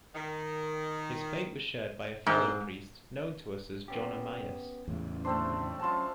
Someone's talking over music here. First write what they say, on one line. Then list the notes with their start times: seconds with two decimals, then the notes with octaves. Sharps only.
His fate was shared by a fellow priest, known to us as John Amias.
0.15 D#3
2.27 G#2 C4
3.88 B3 C#4 G4
4.88 E2 A2 C#3
5.25 D2 A3 C4 D4 C5
5.80 F#2 C#4 F4 A5 C6